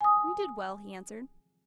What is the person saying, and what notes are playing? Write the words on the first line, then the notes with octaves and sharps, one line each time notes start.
"We did well," he answered.
G#5 D#6